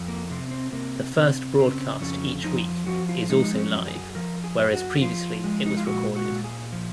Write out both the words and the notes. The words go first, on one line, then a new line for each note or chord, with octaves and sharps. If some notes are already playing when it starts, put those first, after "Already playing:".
The first broadcast each week is also live, whereas previously it was recorded.
Already playing: F2
A#3
C3 C4
C4
C3 A#3
C3
C#3 C4
F2 C#4
F3 D#4
F3 F#4
F4
G#3 D#4
C4
C#4
F#2
G#4
F3 A#4
G#4
F#2
F#4
F3 F4
G#3
D#4
F4
A#2 F#4
F#4
A#2
G#4
F3